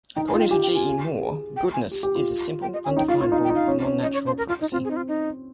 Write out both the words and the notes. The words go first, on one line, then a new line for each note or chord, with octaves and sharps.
According to G. E. Moore, Goodness is a simple, undefinable, non-natural property.
D#4 G5
G#5
F4
G5
G4 G#5
G5
G#5
G#4
G5
G#5
G4
G4
F4
G5
D#5
C#4 G#5
D#4 G5
F4 F5
F4 C#5
D#4 F5
G5
D#4
F5
C#4
C#4
C#4 D#5
C#5
C5
A#4
F4
D#4
C4 F4
G#4
D#4
F4
D#4